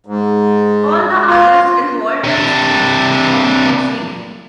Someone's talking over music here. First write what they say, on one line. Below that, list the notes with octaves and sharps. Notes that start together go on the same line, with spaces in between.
All the artists involved in the CD performed for free.
G#2
F4
C3 D4